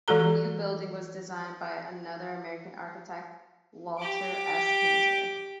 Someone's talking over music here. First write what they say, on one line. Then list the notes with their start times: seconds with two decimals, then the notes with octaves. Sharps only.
The new building was designed by another American architect, Walter S. Painter.
0.08 E3 G#3 F#4 A4 A#5
3.98 G4 D6